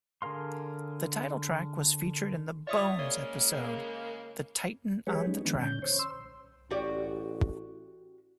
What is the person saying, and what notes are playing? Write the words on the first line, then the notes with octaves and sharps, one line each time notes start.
The title track was featured in the "Bones" episode The Titan on the Tracks.
D3 G#4 A#4 F5 C6
F4 C#5 D5 E5 D#6
C#3 G#3 A#3 C#5
F#3 G#3 G4 G#4 B4 C#5
G#3 C#4 D#4
D#3 F3 G#3 B3 D4
A#2 D3 C#4 G6
C5 C#5
C6 E6
A1 F#4 G4 D5